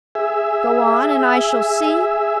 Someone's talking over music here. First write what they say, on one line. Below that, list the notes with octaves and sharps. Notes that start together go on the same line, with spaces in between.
Go on, and I shall see?
G#4 E5